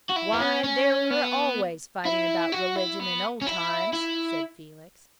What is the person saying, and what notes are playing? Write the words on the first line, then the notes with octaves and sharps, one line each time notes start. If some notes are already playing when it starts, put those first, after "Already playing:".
"Why, they were always fighting about religion in old times," said Felix.
F#4
E4
B3
C#4
C#4
B3
E4
F#4
E4
B3
C#4
E4
E4